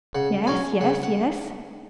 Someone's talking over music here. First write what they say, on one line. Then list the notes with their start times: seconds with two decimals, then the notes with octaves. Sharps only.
"Yes, yes, yes!"
0.15 C#3 F#5
0.47 F#3 C#4 G#5
0.81 C#3 F#5
1.03 F#5